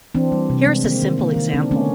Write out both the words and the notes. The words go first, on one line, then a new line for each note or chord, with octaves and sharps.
Here is a simple example.
E3 C4 D4
G3
C3
G#3
D#3 A#3 C4
D#3
A#3
D#3
D3 C4 D4
A3 B3 C#4